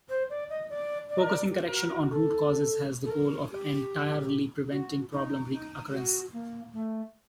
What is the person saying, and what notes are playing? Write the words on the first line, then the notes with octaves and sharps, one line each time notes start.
Focusing correction on root causes has the goal of entirely preventing problem recurrence.
C5
D5
D#5
D5
D5
D#5
D5
G4
F#4
F#4
A4
A4
A#4
G4
F#4
D#4
D#4
F#4
A#3
A3